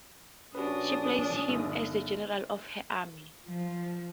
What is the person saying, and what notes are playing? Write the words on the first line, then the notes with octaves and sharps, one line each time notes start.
She placed him as the general of her army.
A#1 C#4 D4 F#4 B4 D#6
G1 D#3 E6
F3